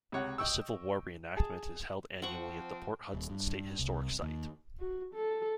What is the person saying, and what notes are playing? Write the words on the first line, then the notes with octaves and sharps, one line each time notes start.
A Civil War reenactment is held annually at the Port Hudson State Historic Site.
C#2 C3 C#5 F#5
D#5 G5 C#6 E6
G#4 A5
F3 C4 F#5 C#6
D#1
G2
C2
D#2
F#4
A4